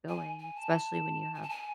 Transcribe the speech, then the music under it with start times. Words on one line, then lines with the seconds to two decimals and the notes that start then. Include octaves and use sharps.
going, especially when you have
0.08 G#5
0.39 G#5
0.56 A5
1.34 G#5
1.42 A5
1.49 G#5